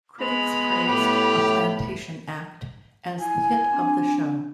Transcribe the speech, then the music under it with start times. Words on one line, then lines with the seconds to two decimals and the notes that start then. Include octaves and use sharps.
Critics praised "A Plantation Act" as the hit of the show.
0.21 G#3 B3 B5 F7
0.88 A2 G4
3.19 E4 G#5
3.72 C4 D4